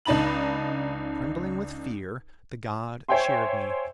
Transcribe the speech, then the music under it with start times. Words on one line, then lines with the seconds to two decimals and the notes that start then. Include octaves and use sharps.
Trembling with fear, the god cheered me.
0.05 C#2 D4 D#4 A5 B5 F#7
3.09 C5 C#5 E5 G5 G#5 C6